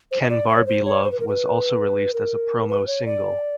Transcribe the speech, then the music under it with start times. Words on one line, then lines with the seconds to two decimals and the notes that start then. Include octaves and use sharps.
"Kenbarbielove" was also released as a promo single.
0.11 C5
0.21 D#5
0.30 D5
0.48 C#5
0.66 C5
0.85 C#5
1.03 C5
1.11 B4
1.20 A#4
1.28 B4
2.14 A#4
2.69 B4
2.87 C#5
3.06 D5